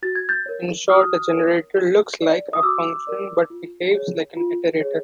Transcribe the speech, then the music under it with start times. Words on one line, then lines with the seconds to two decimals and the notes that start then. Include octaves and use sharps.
In short, a generator "looks like" a function but "behaves like" an iterator.
0.03 F#4 A6
0.15 G#6
0.29 G6 A6
0.46 A#4 C#5
0.89 F#4 D#6 F6
1.33 A#4 C#5
1.77 F#4
2.19 A#4 D5
2.53 D#6
2.63 F#4 D6 E6
3.07 A#4 D5
3.50 F4
3.93 G#4 C#5
4.37 F4
4.81 G#4 C#5